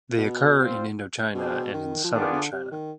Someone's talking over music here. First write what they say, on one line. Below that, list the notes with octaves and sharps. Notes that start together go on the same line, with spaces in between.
They occur in Indochina and in southern China.
B2
G3 C4 F4 C5
B2 D4 G#4 C5 G5
D#3
F3
D#3 B3 D4 F4 G#4 D5
D3
C3
D#3